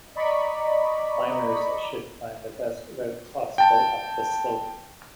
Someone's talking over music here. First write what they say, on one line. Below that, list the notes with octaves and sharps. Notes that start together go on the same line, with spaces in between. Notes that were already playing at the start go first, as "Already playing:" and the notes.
Climbers should find the best route possible up the slope.
D5 D#5 A#5 B5 C#6
G5 A5